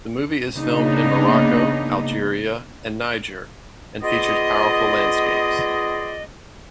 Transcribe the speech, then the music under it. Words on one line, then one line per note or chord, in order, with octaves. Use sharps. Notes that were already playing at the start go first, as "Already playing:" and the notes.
The movie is filmed in Morocco, Algeria, and Niger and features powerful landscapes.
C#3 A#3 B3 D4 D#4
B3 F4 G#4 D5 D#5